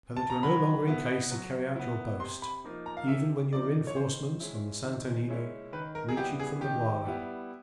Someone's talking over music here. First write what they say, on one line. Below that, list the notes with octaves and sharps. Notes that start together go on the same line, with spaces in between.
So that you are no longer in case to carry out your boast, even when your reenforcements on the Santo Nino, reach you from La Guayra.
A5
A#5
F#3 B5
B3 E4
F#3
B3 E4
C3 C6
B5
F3 A#3 D#4
A#5
F5
C3 E5
F3 A#3 D#4 D5
C#5
D#3 C5
G#3 C#4 E4
D#3
G#3 C#4 E4
D#3 B4
A#4
G#4
G3 B3 E4 G4
G#4
D#3 G4
G3 B3 E4